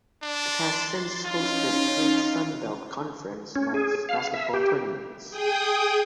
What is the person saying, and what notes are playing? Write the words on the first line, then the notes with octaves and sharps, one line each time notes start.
It has since hosted three Sun Belt Conference men's basketball tournaments.
D4 C6 A6
C#4 D#4 F4
C#4
G#4
F5
E5
G4
G#4 G5 D#6